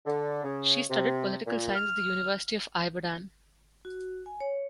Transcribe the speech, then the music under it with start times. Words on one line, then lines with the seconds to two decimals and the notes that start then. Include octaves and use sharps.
She studied political science at the University of Ibadan.
0.06 D3
0.44 C#3
0.90 C3
1.46 A#2
1.75 F6
3.85 F#4
4.26 G#5
4.40 C#5